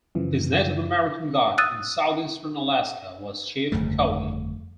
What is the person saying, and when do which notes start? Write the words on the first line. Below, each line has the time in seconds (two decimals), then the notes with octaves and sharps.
His Native American guide in southeastern Alaska was Chief Kowee.
0.15 F#2 C#3 E3 F3
1.58 D#6 E6 F#6 A6 D#7
3.72 G1 F2 C#3 A3